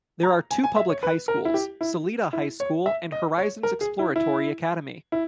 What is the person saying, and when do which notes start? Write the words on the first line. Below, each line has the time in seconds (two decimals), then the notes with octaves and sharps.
There are two public high schools, Salida High School and Horizons Exploratory Academy.
0.23 A#5
0.51 G#5
0.64 G#5
0.76 E5
0.89 C#5
1.03 B4
1.28 A#4
1.45 E4
1.54 G4
1.81 E4
2.33 E4
2.60 C#5
2.86 E5
3.12 D#5
3.38 C#5
3.63 A#4
3.81 G#4
3.99 E4
4.16 E4
5.12 E4